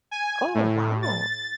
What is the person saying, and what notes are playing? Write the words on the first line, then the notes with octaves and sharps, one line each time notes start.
Oh, wow.
G#5
A2
A6